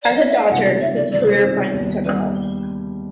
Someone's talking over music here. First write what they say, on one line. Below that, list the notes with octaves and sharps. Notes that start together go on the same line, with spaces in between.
As a Dodger, his career finally took off.
D5
D#5
E5
F5
C#2 C3 D#3 G3 B3 F#5
C#2 C3 D#3 G3 B3 E5
D5
C#2 C3 D#3 G3 B3 D5
C5
C#2 C3 D#3 G3 B3
D#2 D#3 G3 B3
G3 B3 B4